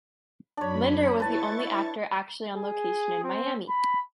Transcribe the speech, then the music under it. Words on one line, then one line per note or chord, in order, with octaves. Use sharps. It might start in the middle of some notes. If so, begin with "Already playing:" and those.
Linder was the only actor actually on location in Miami.
F#2 D4 C#5 B5
E4 B4 A5 C#6 A6
G#4
C4
B5